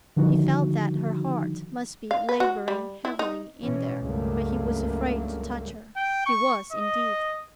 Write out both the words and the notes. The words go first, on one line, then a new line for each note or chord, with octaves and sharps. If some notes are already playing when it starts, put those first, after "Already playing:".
He felt that her heart must be laboring heavily in there, but he was afraid to touch her; he was, indeed.
D3 D#3 F3 G3 D#4 F#4
F5
B4
F#4
G3
E4
D#4
B2 E3 C#4
C#2 G2 F#3 A3 A#3
G5
C#6
D#5